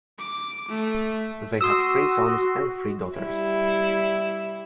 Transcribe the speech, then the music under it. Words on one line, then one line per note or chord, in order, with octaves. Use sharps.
They had three sons and three daughters.
D6
A3
F#4 C6 D#6 E6
G3 E4